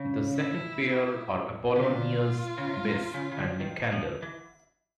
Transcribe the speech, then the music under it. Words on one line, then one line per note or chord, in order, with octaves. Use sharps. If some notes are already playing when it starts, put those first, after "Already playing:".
The second pair are Apollonius Mys and Nicander.
Already playing: C#3
E4
D3 F4
C#3
D3
C#3
C3
C3
C#3
C#3
D3
D#3
F3
E3